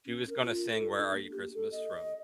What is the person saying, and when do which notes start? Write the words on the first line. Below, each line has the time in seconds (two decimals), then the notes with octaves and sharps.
She was gonna sing Where Are You Christmas from
0.05 C#4
0.29 A#4
0.43 F4
0.72 A4
0.97 D4
1.14 A#3
1.31 G4
1.54 A4
1.72 D#5